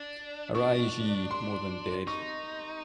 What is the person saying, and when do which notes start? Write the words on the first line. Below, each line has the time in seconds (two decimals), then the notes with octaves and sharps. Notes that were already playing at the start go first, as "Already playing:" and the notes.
Arise ye more than dead!
Already playing: D4
0.55 D4 C#6
1.31 C6
2.07 D#4 C#6